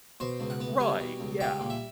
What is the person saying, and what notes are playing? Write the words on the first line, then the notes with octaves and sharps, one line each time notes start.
Right, yeah.
B2 C5
C#2
F#5
B3
G3 G#5
B2
C#2
G3 G5
A#2
E5